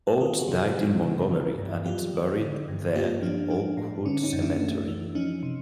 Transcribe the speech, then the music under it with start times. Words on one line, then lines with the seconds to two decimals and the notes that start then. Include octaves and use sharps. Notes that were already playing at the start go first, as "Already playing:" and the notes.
Oates died in Montgomery, and is buried there in Oakwood Cemetery.
0.21 D#3 F4 G4
0.39 F#4 G#4
0.48 C3
0.76 F3
1.03 C#3
1.31 E3
1.58 G2
1.85 F#3 F4 G4
2.13 D#3
2.41 D3
2.68 G2
2.95 A#3 F4 G4
3.23 F3 D4
3.50 F3 D4
3.77 A2
4.05 D3 C#4
4.23 C#4 D#4
4.33 F#2
4.42 D4 E4
4.60 A3
4.88 E3
5.15 F3 C#4 D#4
5.43 C3